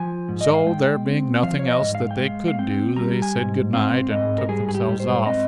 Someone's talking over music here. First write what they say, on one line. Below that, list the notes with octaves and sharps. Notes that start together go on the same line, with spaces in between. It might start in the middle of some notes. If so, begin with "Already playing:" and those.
So, there being nothing else that they could do, they said good-night and took themselves off.
Already playing: F3 G#5
G#2
D#5
F5
G#3 G5
C4
F3 F5
C#5
D#5
G#2
F5
G5
G#3 F5
F5
C4 G5
G3 A#5
G#5
G#2
C4 F5
G#2 D#5
A#4
G3 G#4
G#4
G4
G#2
C5
C4 D#5